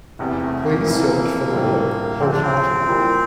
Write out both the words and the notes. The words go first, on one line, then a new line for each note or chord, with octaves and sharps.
Please search for the work, Wholehearted.
F1 E2 C3 G3
A3
A#3
F1 F2 C3 E3
A#1 A2 G3 C4
D2 D3 F3 C4
D4
C4
A#2 G3 A#3 E4 G4